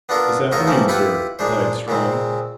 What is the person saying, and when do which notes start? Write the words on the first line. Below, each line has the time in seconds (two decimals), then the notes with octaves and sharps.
"This afternoon, sir," replied Strong.
0.09 B3 D4 F4 A4 A#4
0.52 E2 A3 F4 A#4 C#5 D#5
0.67 E3 F3 A3 A#3 C4 C#4
0.88 E4 F4 G4 B4 F#5
1.39 A#2 G#3 D4 C5
1.88 A#2 C#3 G#3 C4